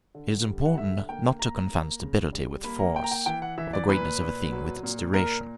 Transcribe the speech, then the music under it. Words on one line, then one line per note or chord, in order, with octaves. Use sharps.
It is important not to confound stability with force, or the greatness of a thing with its duration.
D3
G3
F#5
D3 E5
A#3 G5
A#3 A#5
A#3
C#3
G3
A#3 B5
A#5
A#3 G5
A#5
G5
E3 G5
F#5
E3 E5
D5
A#2 B4
A#2
F#3
A#2
A#2 A#4